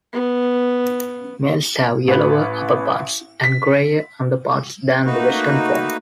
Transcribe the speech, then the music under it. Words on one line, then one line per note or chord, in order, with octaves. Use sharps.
Males have yellower upperparts and greyer underparts than the western form.
B3
A1 B4
B6
A3 A#3 D#4 F#4 B4